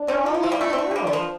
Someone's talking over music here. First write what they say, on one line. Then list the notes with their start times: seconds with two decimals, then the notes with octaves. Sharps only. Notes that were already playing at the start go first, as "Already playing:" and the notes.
They're all over the world.
Already playing: D4
0.08 D3
0.25 F3 F4
0.34 D3
0.43 F3
0.52 G3
0.60 A3 D4
0.73 C4
0.78 A3
0.91 F3
0.96 G3
1.07 G3
1.13 F3